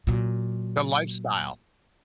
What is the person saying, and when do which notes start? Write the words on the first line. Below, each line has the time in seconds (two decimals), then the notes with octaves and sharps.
The lifestyle
0.07 A#2 F#3